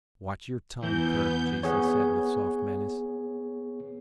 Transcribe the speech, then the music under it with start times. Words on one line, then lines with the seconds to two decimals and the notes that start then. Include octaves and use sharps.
"Watch your tongue, Kerk," Jason said with soft menace.
0.83 E2 E3 B3 G6
1.63 B3 G#4 C#5